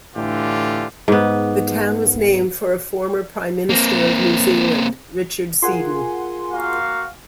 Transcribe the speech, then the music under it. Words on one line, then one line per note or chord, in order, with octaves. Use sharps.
The town was named for a former Prime Minister of New Zealand, Richard Seddon.
A2 D3 E3 D4 F4 G4
G#2 B3
A#3 C4
F4 G#4 A#4 F#5 G#5 C6
A#3 F#4 F5